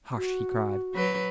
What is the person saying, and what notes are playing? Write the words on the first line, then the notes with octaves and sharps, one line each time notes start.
"Hush!" he cried.
F#4
F#3 B4